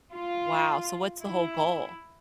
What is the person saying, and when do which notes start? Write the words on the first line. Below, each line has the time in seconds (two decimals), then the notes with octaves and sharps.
Wow, so, what's the whole goal?
0.12 F4
1.23 E4